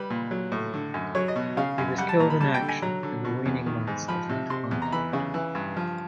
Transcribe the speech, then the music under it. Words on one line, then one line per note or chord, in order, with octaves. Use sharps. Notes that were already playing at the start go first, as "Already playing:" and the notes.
He was killed in action in the waning months of that conflict.
Already playing: G3 B4
A#2
F#3
A2
D3
F#2
F#3 C#5
D#5
B2
C#3 F5
F#2
G3 F#5
A5
A#2 A#5
B5
G3 A5
G5
D3
G#5
F#3 A#5
D3
B2
E2
D#3
G#2
F3 B5
C3
C3 C6
E2
A#5
E3 B5
C#3
E3
G2
F3